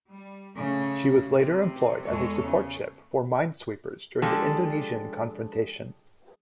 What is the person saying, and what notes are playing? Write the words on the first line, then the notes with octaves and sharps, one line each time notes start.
She was later employed as a support ship for minesweepers during the Indonesian Confrontation.
G3
C#3 A3
C3
E2 G#3 A4 C#5
C#3
F3 G#3 D4 G4 A4